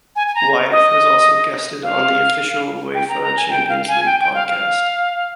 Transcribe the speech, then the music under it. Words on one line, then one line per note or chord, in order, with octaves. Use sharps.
Wyeth has also guested on the official Uefa Champions league podcast.
G#5
G#5
A#5
D#5
F5
G5
A#5
A#5
G#5
G5
F5
G#5
G5
G5
F5
F5